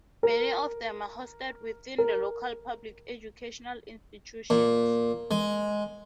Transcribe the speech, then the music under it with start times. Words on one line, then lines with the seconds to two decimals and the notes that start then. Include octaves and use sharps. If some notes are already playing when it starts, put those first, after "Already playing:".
Many of them are hosted within the local public educational institutions.
0.23 A#4
1.98 A#4
4.50 A#2
5.31 G#3